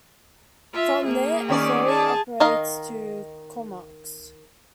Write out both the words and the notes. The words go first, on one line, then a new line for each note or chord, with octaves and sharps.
From there, a ferry operates to Comox.
F4 E5
A#3 G#4
D#3 C#4 D5
G#4 A5
D#3 D#4 D#5 F5